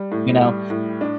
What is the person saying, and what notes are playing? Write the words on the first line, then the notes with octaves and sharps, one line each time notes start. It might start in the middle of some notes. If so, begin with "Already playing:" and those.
You know,
Already playing: G3
A2
G3
A2
D4